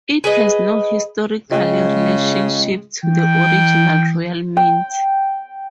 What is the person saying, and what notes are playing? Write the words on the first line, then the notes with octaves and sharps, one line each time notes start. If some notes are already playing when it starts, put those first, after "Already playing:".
It has no historical relationship to the original Royal Mint.
G#4 B4 D#5
C#3 G#3 F4 D#5 G5
E3 G5
G5